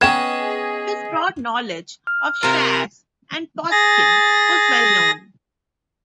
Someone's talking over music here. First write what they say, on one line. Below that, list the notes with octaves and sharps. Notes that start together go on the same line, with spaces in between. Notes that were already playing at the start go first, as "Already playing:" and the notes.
His broad knowledge of Shas and poskim was well known.
B3 C#4 G#4 B4 D#5 G5 G#6 E7
F6
C3 F4 A#4
G#4 A6 A#6